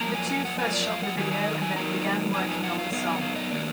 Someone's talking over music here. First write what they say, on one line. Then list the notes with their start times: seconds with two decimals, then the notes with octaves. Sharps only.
The two first shot the video and then began working on the song.
0.01 F#2 F3 A#3 A#5
0.15 G#5
0.29 G#5
0.45 F#5
0.58 F#2 F3 A#3 G#5
0.73 D5
0.88 F5
1.03 F#5
1.17 D#3 F#3 A#3 D#4 G#5
1.31 G#5
1.47 D#5
1.62 G#5
1.76 D#3 F#3 A#3 D#4 A#5
2.33 F#2 F3 B3 D#4 G#5
2.49 G#5
2.64 F#5
2.78 F5
2.92 F#2 F3 B3 D#4 F5
3.06 G#5
3.16 F#5
3.21 F5
3.35 D#5
3.51 D#3 A#3 D4 D5